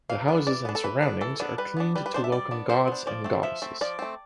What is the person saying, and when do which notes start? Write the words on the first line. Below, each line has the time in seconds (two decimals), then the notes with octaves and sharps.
The houses and surroundings are cleaned to welcome gods and goddesses.
0.10 E3 F5
0.28 B3 D4
0.47 E3 D5
0.65 B3 D4
0.75 A4
0.84 E3 B4
1.02 B3 D4
1.21 E3 A4
1.40 B3 D4
1.58 G3 B4
1.77 B3 D4
1.95 G3 B4
2.06 B4
2.14 B3 D4 C5
2.24 E5
2.32 G3 D5
2.51 B3 D4
2.69 G3 C5
2.88 B3 D4
3.07 F3 D5
3.24 A3 C4
3.43 F3 E5
3.62 A3 C4
3.81 F3 D5
3.99 A3 C4